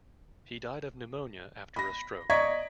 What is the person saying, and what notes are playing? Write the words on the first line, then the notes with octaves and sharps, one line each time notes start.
He died of pneumonia, after a stroke.
B5 A#6
D5 D#5 A#5 C#6 G#6 B6